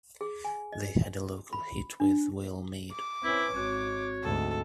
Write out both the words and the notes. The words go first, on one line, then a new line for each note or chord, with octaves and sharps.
They had a local hit with "We'll Meet".
G#4
G#5
D#5
B5
D4
D6
C4 C#4 E4 B4
G#1 C4 F#4 C#5
D2 G#2 A4